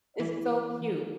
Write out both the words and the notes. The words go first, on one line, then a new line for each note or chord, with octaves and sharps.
It's so cute
E3